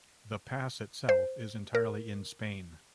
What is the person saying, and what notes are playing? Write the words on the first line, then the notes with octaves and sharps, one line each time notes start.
The pass itself is entirely in Spain.
C5
A#4